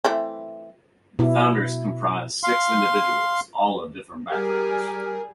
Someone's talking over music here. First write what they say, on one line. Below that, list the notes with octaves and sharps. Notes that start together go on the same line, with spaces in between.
The founders comprised six individuals, all of different backgrounds.
E3 A3 C4
B2 E4
F5 C6
G3 G4 G#4 A#4